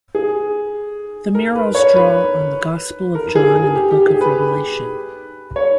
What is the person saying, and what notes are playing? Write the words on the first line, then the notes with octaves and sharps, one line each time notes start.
The murals draw on the Gospel of John and the Book of Revelation.
G#4
A#4
B4
C#5
B4
A#4
G#4
G#4
G4
G4
G#4
B4
C#5